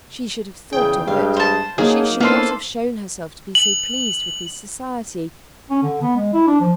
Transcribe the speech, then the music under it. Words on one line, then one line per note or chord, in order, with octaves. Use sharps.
She should have thought of it; she should not have shown herself to be so pleased with his society.
E2 C#3 G#4 G5
G2 G#3 F5
C5 A5
F#3 A#3 D#4 G#4
A#3 B3 C#4 D4 E4 F4 A4 C5
F#7
C#4
D3
B3
G#3
E4
D4
F3